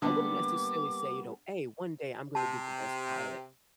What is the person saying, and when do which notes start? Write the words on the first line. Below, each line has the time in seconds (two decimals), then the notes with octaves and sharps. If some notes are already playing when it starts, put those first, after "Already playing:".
I wouldn't necessarily say, you know, "Hey, one day I'm gonna be the best pilot,"
0.02 D3 G3 A#3 B3 D6
2.35 C3 A5